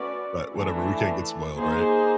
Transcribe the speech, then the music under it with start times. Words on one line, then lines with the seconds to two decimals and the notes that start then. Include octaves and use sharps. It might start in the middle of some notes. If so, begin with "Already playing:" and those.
But whatever, we can't get spoiled, right?
Already playing: A3 C#4 F#4 B4 D5
0.55 E3 A3 D4
1.56 A#3 D#4 G#4 C5